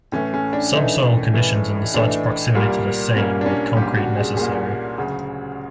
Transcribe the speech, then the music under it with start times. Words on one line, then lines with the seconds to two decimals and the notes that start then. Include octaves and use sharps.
Subsoil conditions and the site's proximity to the Seine made concrete necessary.
0.12 A2 E3 A3 C#4
0.34 C#4
0.53 D4
0.73 A2 E3 A3 D#4
1.34 A2 E3 A3
1.94 A2 E3 A3 D4
2.55 C2 A#2 G3 A#3
3.16 C2 A#2 G3 A#3 C#4
3.41 D4
3.46 C#4
3.76 C2 A#2 G3 A#3 G4
3.97 F#4
4.17 G#4
4.37 C2 A#2 G3 A#3 G#4
4.98 D2 C#3 F#3